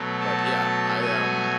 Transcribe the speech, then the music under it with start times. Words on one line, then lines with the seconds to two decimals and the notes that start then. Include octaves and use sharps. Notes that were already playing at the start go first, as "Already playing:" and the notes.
But, yeah, I, um,
Already playing: B2 F#3 A3
0.21 A5
1.01 G#5